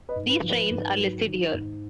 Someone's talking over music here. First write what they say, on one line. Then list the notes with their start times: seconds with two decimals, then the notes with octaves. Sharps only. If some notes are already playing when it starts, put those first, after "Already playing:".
These trains are listed here.
0.09 B4 D#5
0.16 G#2
0.29 B4
0.43 F3
0.50 B4
0.71 G#2
0.98 F#3
1.25 D#3
1.53 G#2